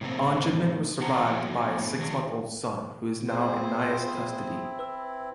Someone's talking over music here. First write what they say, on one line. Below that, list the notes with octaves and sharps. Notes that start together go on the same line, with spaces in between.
Anjuman was survived by a six-month-old son, who is now in Neia's custody.
A2 C3 A3 A#3 C4
D#3 C4 E4 F#5 A5 A#5
F3 A3 B3 F#4
D#3 F#4
B3 C4 E4 F4 G#4 C5
B4 E6